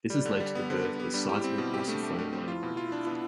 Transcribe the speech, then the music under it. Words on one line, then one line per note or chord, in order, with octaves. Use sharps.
This has led to the birth of a sizable Russophone minority in Finland.
G3 D5
D3
G3
B3
D3 C5
D3 B4
B3 G4
G3 D4
E4 G4
C4
B2
G4
A3 D4
A3
A3
C4
E4 F4
B2
F4
D4
B3